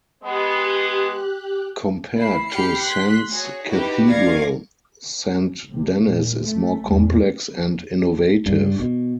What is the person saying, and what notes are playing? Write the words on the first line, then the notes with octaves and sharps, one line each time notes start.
Compared to Sens Cathedral, St.-Denis is more complex and innovative.
G#3 B3 G4 F#6
E4 B5 C7
G4 B5 F6 C7 C#7
C6 F#6 B6
F#4 G#4 C#5
D#4 E4 F#4 G4 B4
D5 F5 G#6 A#6 C#7
C3
A#2
A3
E2
G2
B2